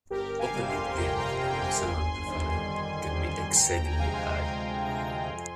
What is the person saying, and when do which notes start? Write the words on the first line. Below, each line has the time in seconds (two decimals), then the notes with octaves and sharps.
Open loop gain, in some amplifiers, can be exceedingly high.
0.10 G1 G4 A#4
0.39 F5 G#5
0.53 F2 C3 G3
0.68 G#5 C6
0.90 C6
0.97 G1 G5 A#5
1.19 G5 A#5
1.40 F2 C3 G3 G5 A#5
1.62 G#5 C6
1.83 G1
2.27 F2 D#3 G3
2.70 G1
3.13 F2 D#3 G3
3.50 C6
3.56 D2 G5 A#5
3.85 G#5
3.92 A#5
3.99 C3 F3 G#3 F5 G#5
4.14 G#5 C6
4.42 D2 G#5 C6
4.86 C3 F3 G#3
5.29 F2